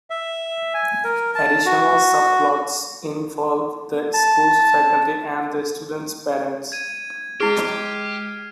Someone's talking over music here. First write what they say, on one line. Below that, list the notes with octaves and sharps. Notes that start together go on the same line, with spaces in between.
Additional subplots involve the school's faculty and the students' parents.
E5
G#5
A#4
A5
F#4
A5
G#6 D#7
G#3 E4 G4 G#4 F6 C7